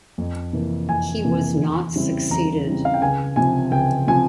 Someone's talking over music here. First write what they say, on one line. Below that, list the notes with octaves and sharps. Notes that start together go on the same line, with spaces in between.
He was not succeeded.
F2
C3 E3 A#3
F2 G#5
C3 E3 A#3
E2
C#3 G3 C4 E4
E2 A#5
C#3 G3 C4 E4
F5
G5
C#2 G#5
C3 F3 C4 G#5
C#2 G5
C3 F3 C4 G#5